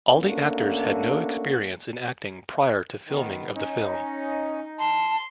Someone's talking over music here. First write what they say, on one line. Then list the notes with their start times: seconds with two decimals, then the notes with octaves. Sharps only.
All the actors had no experience in acting prior to filming of the film.
0.15 A3 A#3 C#4 D4 F#4
3.09 D#3 B3
3.55 C#4 D#4
4.79 A5 C6